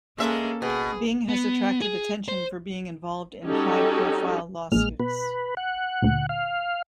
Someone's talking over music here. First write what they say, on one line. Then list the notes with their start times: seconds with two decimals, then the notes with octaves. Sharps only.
Bing has attracted attention for being involved in high-profile lawsuits.
0.18 G#3 A#3 C#4 A4 E5
0.62 B2 G#4
1.29 B3
1.81 G#4
2.28 C5
3.44 G3 C#4 D#4 F#4 G4 A4
4.72 A#1 A#2 G#3 F6
5.00 B2 B4
5.57 F#5
6.02 D2 A#2
6.29 F5